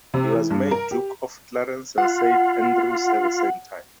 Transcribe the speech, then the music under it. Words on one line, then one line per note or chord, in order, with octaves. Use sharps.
He was made Duke of Clarence and Saint Andrews at the same time.
C3
E3
G2
A#4
G4
F4 F#5